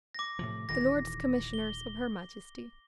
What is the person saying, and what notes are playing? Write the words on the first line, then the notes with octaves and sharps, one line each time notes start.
"The Lords Commissioners of her Majesty."
D6 A#6
A2 C3 F3
D#1 D#3 E3 A#6
G7